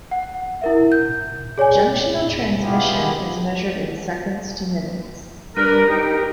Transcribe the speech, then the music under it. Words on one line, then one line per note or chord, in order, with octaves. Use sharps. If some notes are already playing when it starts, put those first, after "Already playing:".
Junctional transmission is measured in seconds to minutes.
F#5
E4 A#4 E5
G6
G#4 C#5 D5 G#5
G3 B3 E4 F4 G4 G#4
G3 D4 A#4 B4
D#4 G4 A#4